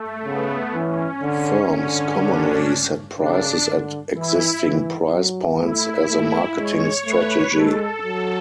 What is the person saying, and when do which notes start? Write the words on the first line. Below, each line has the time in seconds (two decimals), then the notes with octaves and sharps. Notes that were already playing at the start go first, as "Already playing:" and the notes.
Firms commonly set prices at existing price-points as a marketing strategy.
Already playing: A3
0.25 C#3 B3
0.73 E3 C#4
1.23 D3
1.71 D3 C#4
2.20 D4
3.17 C#3 D4
3.66 D3
4.15 E3 E4
4.63 E3
5.12 F#3
5.61 A3 E4
6.09 A3
6.57 G#3 C#5
7.06 A3 B4
7.55 G#3 A4
8.04 F#3